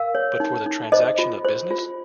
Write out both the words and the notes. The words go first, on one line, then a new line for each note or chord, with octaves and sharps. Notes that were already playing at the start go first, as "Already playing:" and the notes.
But for the transaction of business?
Already playing: A#4 F5
C#5
D#4
D#4
C5 D#5
F4
C5
F4